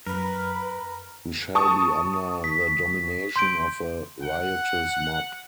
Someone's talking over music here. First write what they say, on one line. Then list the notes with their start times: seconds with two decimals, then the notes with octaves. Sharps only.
We shall be under the domination of a riotous mob.
0.07 F#2 A#4 B4
1.55 A5 C#6 D#6
2.44 B6
3.36 C6 G6 D7
4.21 F#5